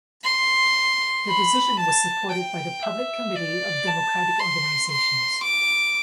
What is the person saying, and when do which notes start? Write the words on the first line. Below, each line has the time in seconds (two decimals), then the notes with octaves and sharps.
The decision was supported by the Public Committee of Democratic Organisations.
0.24 C6
1.28 B5
1.80 A5
2.32 G5
2.83 E5
3.36 D5
3.88 A5
4.40 C6
4.92 C6
5.44 D6